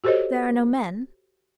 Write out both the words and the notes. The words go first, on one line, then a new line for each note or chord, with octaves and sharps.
"There are no men?"
F#4 G4 A4 C5 C#5 D#5